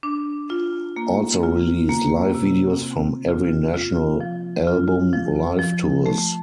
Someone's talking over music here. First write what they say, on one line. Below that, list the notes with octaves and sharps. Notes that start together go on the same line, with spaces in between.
Also released live videos from every national album live tours.
D4
F4
A#3
F4
A#3
C3
C4
F4
F4
F3
F4
F3
F3
A3